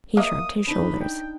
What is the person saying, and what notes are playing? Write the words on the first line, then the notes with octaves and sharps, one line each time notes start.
He shrugged his shoulders.
A#3 D#5 E5 D#6
D4 D#4 B5
G5